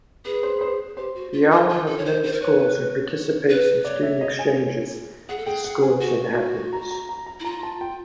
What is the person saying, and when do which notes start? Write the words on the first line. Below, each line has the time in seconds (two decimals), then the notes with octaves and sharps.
The island has many schools and participates in student exchanges with schools in Athens.
0.25 G#4 B4
0.43 C5
0.56 B4
0.61 C5
0.97 G4 C5
1.15 F#4
1.33 F4
1.51 F4
1.69 F4
1.87 A4
1.98 C#5
2.05 C5
2.23 C5
2.33 A#4
2.41 B4 C#5
3.49 B4
3.85 C#5 D5
4.03 E5
4.21 D#5
4.39 G#5
5.29 G#4 F#5
5.37 A4
5.46 G#4 G5
5.65 F#5
5.83 G#5
6.01 F#4
6.73 A#5
6.91 A#5
7.09 A#5
7.26 A#5
7.40 E4
7.45 F4 A#5
7.63 A5
7.81 G5